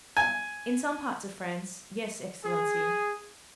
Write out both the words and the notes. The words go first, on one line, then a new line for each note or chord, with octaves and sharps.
"In some parts of France--yes, excellency."
G#5
G#4